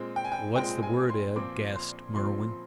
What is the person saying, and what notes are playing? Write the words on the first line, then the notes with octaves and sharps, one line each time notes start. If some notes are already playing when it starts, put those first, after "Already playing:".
"What's the word, Ed?" gasped Merwin.
Already playing: A#2 G#3 C4
G5
G#5
G5
A#2 G#3 C4 G5
G#5
C6
A#2 F3 C4 D6
C6
A#2 F3 C4 C6